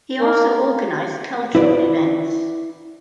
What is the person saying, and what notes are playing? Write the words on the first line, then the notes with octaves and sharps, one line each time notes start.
He also organised cultural events.
A#3
E4 B4 D5